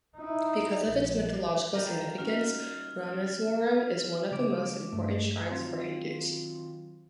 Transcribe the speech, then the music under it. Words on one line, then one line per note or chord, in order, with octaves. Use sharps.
Because of its mythological significance, Rameswaram is one of the most important shrines for Hindus.
D#4 E4
A#1
G3 F4 A4 A#4 G5
C#4 D#4 F#4 F6
C#3 G#3 D6 D7
G2 A3
D#3 F#3 C4 F4